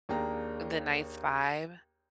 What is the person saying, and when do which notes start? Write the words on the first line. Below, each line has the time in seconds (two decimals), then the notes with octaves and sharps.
the night's vibe?
0.09 D#2 A#3 D4 G#4 G5 A#5